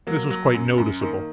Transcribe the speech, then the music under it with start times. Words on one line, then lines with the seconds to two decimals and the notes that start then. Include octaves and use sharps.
This was quite noticeable.
0.07 F#3 A#3
0.30 F#3
0.54 F#2
0.78 F#2
1.01 D#3 A#3